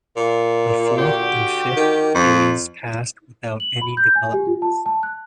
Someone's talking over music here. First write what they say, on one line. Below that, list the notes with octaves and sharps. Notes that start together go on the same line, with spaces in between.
The fourth and fifth days passed without any developments.
A#2
D3 F#4 G4
D#3
F2
F#7
B5
G6
G#5
G4
F4
A5
A5
F#6